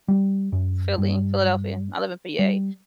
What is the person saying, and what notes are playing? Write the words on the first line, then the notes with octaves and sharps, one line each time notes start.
Philly, Philadelphia. I live in PA,
G3
F#2
G2
G3